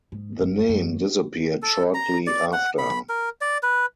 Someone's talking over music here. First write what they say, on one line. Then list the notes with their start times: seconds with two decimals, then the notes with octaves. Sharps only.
The name disappeared shortly after.
0.12 G#2
0.41 G1
0.69 F#2
1.62 A4
1.94 A#5
2.27 D5
2.53 F#5
2.78 B5
3.09 A#4
3.41 D5
3.63 B4